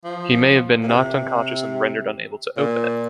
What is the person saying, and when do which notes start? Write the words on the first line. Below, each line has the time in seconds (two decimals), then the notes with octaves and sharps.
He may have been knocked unconscious and rendered unable to open it.
0.05 F3
0.83 A#2
0.88 C3
2.57 A#2